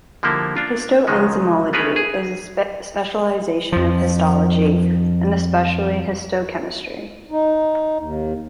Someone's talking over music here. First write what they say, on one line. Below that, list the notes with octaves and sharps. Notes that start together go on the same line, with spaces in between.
Histoenzymology is a specialization of histology and especially histochemistry.
D3 F3 G3 A#3 E4
D4 F4 A#4
C#2 D#3 F3 F#3 G#3 C#4
A3 B3 C#4 G#4 A#4 B4
G#4
F2 F3
D#4
D#2